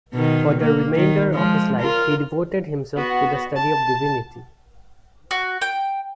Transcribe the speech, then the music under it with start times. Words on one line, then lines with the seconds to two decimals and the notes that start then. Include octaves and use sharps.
For the remainder of his life he devoted himself to the study of divinity.
0.14 B2 D#3
0.61 A#3
0.95 D#3
1.34 F3 G#3
1.80 F4 A#4
2.96 B3 F#4
3.56 A5
5.31 F#4
5.61 G5